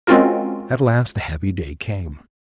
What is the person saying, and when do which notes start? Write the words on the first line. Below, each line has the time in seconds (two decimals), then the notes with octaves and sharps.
At last the happy day came.
0.07 G#3 C4 C#4 F4 F#4 A#4